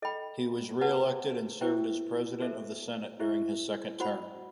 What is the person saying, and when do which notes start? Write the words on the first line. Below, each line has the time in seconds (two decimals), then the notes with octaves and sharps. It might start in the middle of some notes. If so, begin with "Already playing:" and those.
He was reelected and served as president of the Senate during his second term.
0.02 A4 D#5 G5 B5
0.81 B4 F#5 A5
1.61 E4 G4 C5 E5 G5
2.40 F#4 A4 C5 E5
3.19 E4 G4 C5 E5
4.00 F#4 C5 F#5 B5